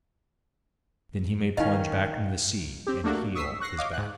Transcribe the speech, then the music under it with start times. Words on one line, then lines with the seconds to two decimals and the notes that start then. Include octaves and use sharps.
Then he may plunge back into the sea and heal his back.'
1.57 D#3 C#4 D#4 D#5 F5
2.87 C4 G4
3.04 A3 A#3 D4 F#4
3.35 C#6 D#6 E6 B6 C7
3.60 C#6 F#6 A#6 C7
3.78 C#5 D#5 F5 D6
3.93 G#2 F#6